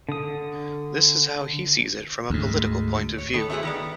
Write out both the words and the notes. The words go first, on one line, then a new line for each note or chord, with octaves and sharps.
This is how he sees it from a political point of view.
D3 D#6
D2 G#2
C#5
D#3 B3 A4
A3 B3 E4 F#4 G#4 C5
D#3 B3 D5